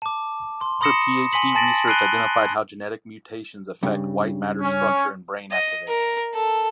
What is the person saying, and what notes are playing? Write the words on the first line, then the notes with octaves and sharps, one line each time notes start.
Her PhD research identified how genetic mutations affect white matter structure and brain activation.
A5 D6
C6
B5 C6 D#6 A#6 C#7 E7
G#5 C6 B6 F#7
G#5 A5 A6 A#6 D7 F#7
B5 F#6 C7 D7 D#7 G7
G2 C#3
C#4
D#5
A#4
A4